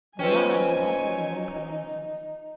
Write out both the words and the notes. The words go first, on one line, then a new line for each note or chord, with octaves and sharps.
The gods were also invoked by incense.
C4 C#4 D#4 F4 B4 G5 G#5